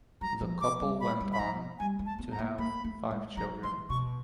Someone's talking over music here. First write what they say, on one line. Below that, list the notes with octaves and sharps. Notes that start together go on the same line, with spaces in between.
The couple went on to have five children.
F#3 A#5
F3
F3 D6
G3
B5
G3
B5
F3 A#5
G3 G#5
G#3
A5
B3
A#5
A#3
A#3 B5
A3
G#3
F#3 A#5
E3 C6
B2 C#6